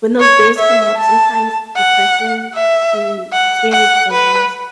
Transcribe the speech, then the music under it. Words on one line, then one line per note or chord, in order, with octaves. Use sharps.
When those days come up, sometimes the person who experienced the loss,
C#5
E5
A5
F#5
E5
F#5
F#5
B4